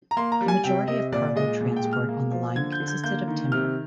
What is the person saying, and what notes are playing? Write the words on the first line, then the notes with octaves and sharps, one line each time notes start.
The majority of cargo transport on the line consisted of timber.
A#5
A#3 C6
A#5
G3
G#5
C3 G5
C3 D#5
A#2 D5
G#3 D#5
A#2
G5
G#3
F6
A#3
F3
D3 G#6
G6
D3
G6
A#3 G6
D#3
C3 F6